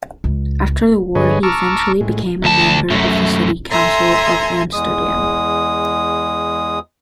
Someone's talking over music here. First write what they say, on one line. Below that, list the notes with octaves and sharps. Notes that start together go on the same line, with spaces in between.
After the war he eventually became a member of the city council of Amsterdam.
C#2
G2 D3 G#4 B4 C#5 D#5
A5 A#5 C#6 D6 E6 F6
A2 G#3
D2 A5
F#2 A3
A4 C5 E5 G#5 A#5 C6
E2 G#3 D#6